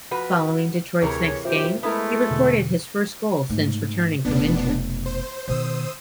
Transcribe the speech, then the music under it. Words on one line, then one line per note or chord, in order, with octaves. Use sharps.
Following Detroit's next game, he recorded his first goal since returning from injury.
F3 F#4 B4
D2 C3 E3 G#4 A#4 C#5
B1 F#2 F4 G4 C5 E5
G#3 A3 B3 E4 A#4 B4
E2 B2 D3
G#2 A3
F1 B2 B3 D4
C5
B2 D#3 C5 D#6 E6